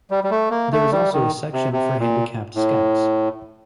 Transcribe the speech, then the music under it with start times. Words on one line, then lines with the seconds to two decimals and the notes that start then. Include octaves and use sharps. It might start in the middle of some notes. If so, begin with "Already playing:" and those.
There is also a section for handicapped Scouts.
0.11 G3
0.24 G3
0.31 A3
0.51 A#3
0.72 A3
0.92 G3
1.13 D#3
1.53 C3
1.73 C3
2.00 A#2
2.55 A2